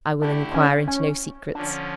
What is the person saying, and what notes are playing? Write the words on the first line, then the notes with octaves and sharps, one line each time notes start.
"I will enquire into no secrets."
D3 A3 D4 E4 G4
C#4
C#4
D3 F3 C#4 D4